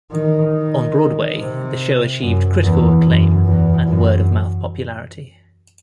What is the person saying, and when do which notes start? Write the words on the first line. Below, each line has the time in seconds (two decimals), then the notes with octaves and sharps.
On Broadway, the show achieved critical acclaim and word-of-mouth popularity.
0.12 D#3
0.53 D#3
1.37 C3
2.20 F#2
2.62 E2
3.04 F#2
3.46 E2
3.88 F#2